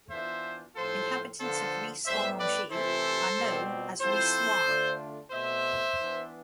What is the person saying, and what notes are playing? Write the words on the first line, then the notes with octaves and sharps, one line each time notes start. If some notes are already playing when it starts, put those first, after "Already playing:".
Inhabitants of Ris-Orangis are known as "Rissois".
E3 B3 D4 F4 C5 E5
A2 F3 C4 F4 A4 C5
D3 F3 B3 F4 A4 C5
A2 G3 B3 C5 E5
B4 D5
C3 E3 A3 E4 A4 C5
B2 G3 C4
F3 C4 E4 A4 C5
D3 A3 D4 F4
B2 A3 C4 C5 E5
E3 B3 D4